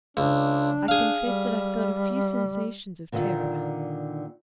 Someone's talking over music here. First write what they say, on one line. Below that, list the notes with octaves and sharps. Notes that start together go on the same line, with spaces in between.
I confess that I felt a few sensations of terror.
C#2 D4
D4 G#4 F5
G3
A#2 D3 D#3 D#4